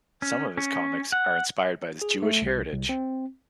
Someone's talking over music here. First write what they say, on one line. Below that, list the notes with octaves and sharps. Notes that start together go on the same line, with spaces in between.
Some of his comics are inspired by his Jewish heritage.
C#4
C#4
F#5
G#4
A3
C2
C2
C4